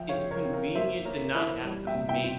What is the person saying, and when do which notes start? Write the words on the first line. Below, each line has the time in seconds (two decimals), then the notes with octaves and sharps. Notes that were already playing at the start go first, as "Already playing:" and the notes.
it's convenient to not have to make
Already playing: F3 E5 G5
0.09 C#5 F5
0.16 C#3
0.31 A#4 C#5
0.46 C4
0.53 A#4 C#5
0.75 A#3 C5 E5
1.05 A#3 A#4 C#5
1.34 E3 C5 E5
1.64 G3
1.87 E5 G5
1.94 C3
2.09 E5 G5
2.24 C4